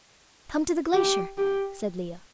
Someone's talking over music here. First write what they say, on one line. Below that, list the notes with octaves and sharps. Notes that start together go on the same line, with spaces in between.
"Come to the glacier," said Leo.
G4
G4